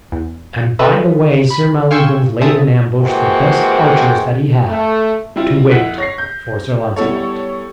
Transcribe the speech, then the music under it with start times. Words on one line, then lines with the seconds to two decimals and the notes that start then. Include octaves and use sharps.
And by the way Sir Maleagans laid in ambush the best archers that he had to wait for Sir Launcelot.
0.12 E2
0.79 F4 A4 B4 D#5 E5
1.50 B5
1.91 F5 G5 G#5 C6 C#6 E6
2.41 A#2 C4 G#4 E5 A5 D#6
2.99 C3 E3 G#3 A#3 C4 F#4
4.67 A3
5.36 G3 C4 E4 F4
5.71 F2 E4 F#5 F#6 B6
5.98 C#5 A#6 C7
6.18 G6
6.96 G3 B3 E4 A4 C#5